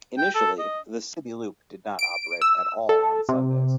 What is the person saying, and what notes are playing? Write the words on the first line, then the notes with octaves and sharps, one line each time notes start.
Initially, the City Loop did not operate at all on Sundays.
G5
A4
D#5
D7
E6
A4
C3